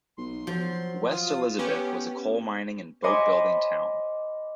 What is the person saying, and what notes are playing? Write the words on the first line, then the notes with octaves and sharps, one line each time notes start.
West Elizabeth was a coal mining and boat-building town.
B1 C6
F3 F#3
F4 D#6
B3 C#4 G4
C5 C#5 D#5 G#5 B5 D6